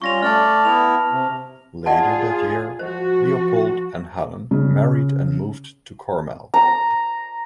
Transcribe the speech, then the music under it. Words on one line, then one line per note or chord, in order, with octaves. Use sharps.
Later that year Leopold and Helen married and moved to Carmel.
G3 C#4 F4 C#6 A#6 F7
A3 D5 A5 F6
B3 E4 F7
C3
F4 G#4 D5 F#5 A5
F3 F#4 C5
C#3
A#5